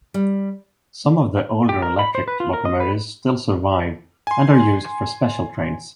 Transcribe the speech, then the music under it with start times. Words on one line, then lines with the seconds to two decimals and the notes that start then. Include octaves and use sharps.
Some of the older electric locomotives still survive and are used for special trains.
0.14 G3
1.69 G4
1.82 A#4
1.99 B5
2.15 C5
2.28 B4
2.40 F4
2.53 A#4
2.65 D#5
2.80 B4
4.27 G#5 C6